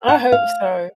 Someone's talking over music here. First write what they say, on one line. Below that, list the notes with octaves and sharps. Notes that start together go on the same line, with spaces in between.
I hope so.
F#5
F5